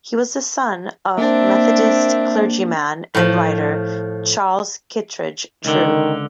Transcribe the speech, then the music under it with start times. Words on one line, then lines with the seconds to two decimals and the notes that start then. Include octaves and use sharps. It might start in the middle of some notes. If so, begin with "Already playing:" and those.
He was the son of Methodist clergyman and writer Charles Kittredge True.
1.18 A#3 C4 D4 E5
3.15 A2 F3
5.65 C#2 D3 D#3